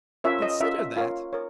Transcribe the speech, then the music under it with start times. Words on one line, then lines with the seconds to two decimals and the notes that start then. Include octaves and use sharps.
Consider that!
0.24 C#4 F4 A#4 C#5 E5
0.42 D#5
0.60 C#4 F4 A#4 C#5 E5
0.79 E5
0.97 F4 A#4 C#5 F5
1.33 A#4 C#5